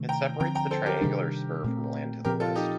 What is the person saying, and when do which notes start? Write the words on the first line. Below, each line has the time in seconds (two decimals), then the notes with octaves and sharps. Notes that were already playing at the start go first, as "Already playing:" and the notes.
It separates the triangular spur from land to the west.
Already playing: C3 D#3 A3 D4
0.09 G5 A#5
0.40 D3 F3 C4 G5 A#5
0.55 G5 A#5
0.71 A4 C5
0.86 G4 A#4
1.01 C3 D#3 G3 D4
1.64 A#2 A3 C4
2.25 A#2 F3 C4 G4 A#4
2.40 F4 A4
2.55 D#4 G4